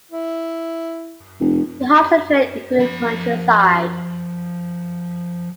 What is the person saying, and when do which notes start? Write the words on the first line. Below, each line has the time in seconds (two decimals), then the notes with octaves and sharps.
He hops a train into the countryside.
0.11 E4
1.40 F1
2.79 F3 B5